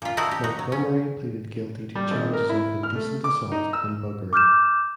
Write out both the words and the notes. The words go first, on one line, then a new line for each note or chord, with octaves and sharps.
Montgomery pleaded guilty to charges of indecent assault and buggery.
A#2 F4
D#4 E4 F#4 A4 D5
G4
D#4 F#4
F#3
C#4
G3
G#1
A#4
E4
F6
A3
D6
D#4
E6
D6 F6 G6 E7